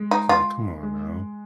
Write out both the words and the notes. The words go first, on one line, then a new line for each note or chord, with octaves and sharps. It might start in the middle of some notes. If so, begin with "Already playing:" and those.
It's like, come on now,
Already playing: G#3
D#4
F4
G#3